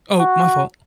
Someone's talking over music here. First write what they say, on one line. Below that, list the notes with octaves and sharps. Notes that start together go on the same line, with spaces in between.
Oh, my fault.
F#4